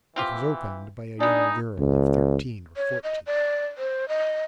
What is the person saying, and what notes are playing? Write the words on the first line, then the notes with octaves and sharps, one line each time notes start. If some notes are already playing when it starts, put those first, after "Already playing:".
It was opened by a young girl of thirteen or fourteen.
E3 C4 F4 G4
B3 D4 D#4 G#4 A4
C#2
C#5
D#5
D5
C5
D#5